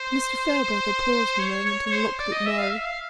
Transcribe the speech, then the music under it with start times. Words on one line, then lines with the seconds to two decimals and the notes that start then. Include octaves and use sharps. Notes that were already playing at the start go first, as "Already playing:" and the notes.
Mr. Farebrother paused a moment and looked at Mary.
Already playing: C5
1.39 C#5
1.66 C#5
1.86 C#5
1.92 C5
2.19 D5
2.32 D#5
2.45 E5
2.59 F5
2.71 E5
2.85 F5